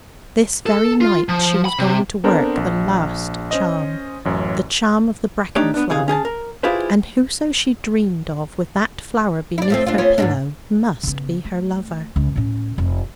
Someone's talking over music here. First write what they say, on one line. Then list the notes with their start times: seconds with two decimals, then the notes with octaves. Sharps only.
This very night she was going to work the last charm--the charm of the bracken flower--and whoso she dreamed of with that flower beneath her pillow must be her lover.
0.66 A4
1.01 F4
1.29 F3
1.65 B5
1.79 C3
2.24 B3 C4 D4 A4 A#4 C5
2.57 A#1
3.51 C#4 C5 D#5
4.25 A1 F#2 C#5
5.56 A3 D4 D#4 G4 C#5
5.74 B3 D4
5.90 C3 D#3 E3 G#4 F5
6.08 C#4 G#4 G#5 A5
6.25 A#4
6.63 E4 F4 G4 G#4 B4 C5
9.58 D4 E4
9.70 F3 A3 C4
9.87 D4 F4
9.98 B3 C#4 F4
10.18 E2 G#2 D4
11.03 C#3 B3
11.45 A3
12.16 C#2
12.36 A2 C#4
12.78 F1